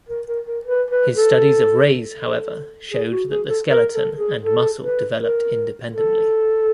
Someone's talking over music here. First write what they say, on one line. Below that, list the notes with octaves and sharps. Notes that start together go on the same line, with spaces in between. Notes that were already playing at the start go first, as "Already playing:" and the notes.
His studies of rays however showed that the skeleton and muscle developed independently.
A#4
A#4
A#4
B4
B4
A4
A4
G#4
F#4
G#4
A4
A#4
A4
G#4
A4
B4
A#4
A4